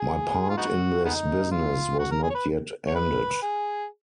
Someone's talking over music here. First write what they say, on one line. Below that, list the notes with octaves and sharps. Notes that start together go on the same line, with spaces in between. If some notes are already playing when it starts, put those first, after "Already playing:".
My part in this business was not yet ended.
Already playing: G#4
F4
B3 D#4 F#4
G#3 B3 D#4
F4
F#4
A#4
G#4
C#5
B4
C#5
B4
G#4